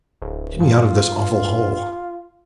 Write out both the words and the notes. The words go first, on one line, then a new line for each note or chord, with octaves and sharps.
"Get me out of this awful hole."
D1
G2 F4